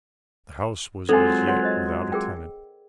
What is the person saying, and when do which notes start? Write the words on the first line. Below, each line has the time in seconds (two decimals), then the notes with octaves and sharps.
The house was as yet without a tenant.
1.09 F#3 G#3 C4 F4 A4 G5 G#5
1.47 C#5 F#5 C6
1.62 C5 D#5
2.12 G#4 A#4 G5